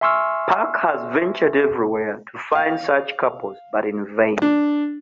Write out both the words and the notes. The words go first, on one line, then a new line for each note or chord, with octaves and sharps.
Puck has ventured everywhere to find such couples, but in vain.
E5 G#5 C6 C#6 E6 F6
F5
D4